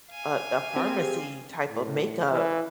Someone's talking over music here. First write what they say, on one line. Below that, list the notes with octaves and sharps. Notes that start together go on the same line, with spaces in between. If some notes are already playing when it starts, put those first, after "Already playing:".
a a pharmacy type of makeup
F5 G#5
C4 G4 G#4
A2
E3